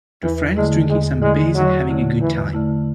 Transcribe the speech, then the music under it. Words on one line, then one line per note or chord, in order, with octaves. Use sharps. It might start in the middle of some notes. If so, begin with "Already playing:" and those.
Two friends drinking some beers and having a good time.
E2 E3
D3 G#3 A3 E4
E2 G#3
D3 G#3 A3 E4
E2 F#3
D3 A3 E4
E2 E3
D3 A3 E4